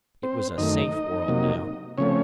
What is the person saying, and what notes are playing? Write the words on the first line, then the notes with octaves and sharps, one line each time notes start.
It was a safe world now.
C4 C5
F#2 D#3 A3 D#4 D#5
C3 F#3 A#3
C#3 F3 A3 C4 C#4 C#5